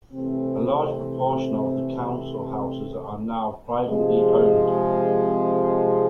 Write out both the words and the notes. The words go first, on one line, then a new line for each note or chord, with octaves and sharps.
A large proportion of the council houses are now privately owned.
C3 E3 A3 C4
C3 F3 G#3